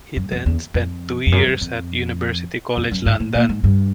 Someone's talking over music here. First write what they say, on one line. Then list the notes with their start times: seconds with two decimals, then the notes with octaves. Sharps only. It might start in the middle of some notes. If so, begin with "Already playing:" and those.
He then spent two years at University College London.
0.16 F#2
0.31 F2
0.46 E2
0.74 F2
1.27 F2
1.32 F#2
1.47 F#2
1.61 F2
2.77 F2
2.91 F#2
3.06 G#2
3.20 A2
3.35 A#2
3.49 G#2
3.64 G2